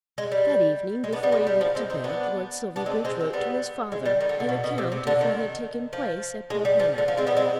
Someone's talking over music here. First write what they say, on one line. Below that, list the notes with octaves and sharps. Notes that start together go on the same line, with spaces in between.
That evening before he went to bed Lord Silverbridge wrote to his father an account of what had taken place at Polpenno.
G#3
G3
G#3
B3 D4
G3 B3
G#3
G3
F3
G#3 C4
C4 D#4
B3 D4
B3 D4
G#3 C4
G#3 C4
G#3 C4
G3 B3
G#3
G3
D#3
D3
D3
B2
B2
C3
C3
D3
D#3
F3
G#3
G3
F3
D3
F3
G#3 C4
G3 B3
G#3 C4